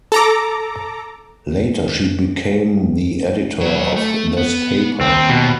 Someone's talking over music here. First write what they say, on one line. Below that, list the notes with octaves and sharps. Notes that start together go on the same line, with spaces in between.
Later, she became the editor of this paper.
A4 A#5 D6
F#3 B4
A3
B3
D#2 C4
B2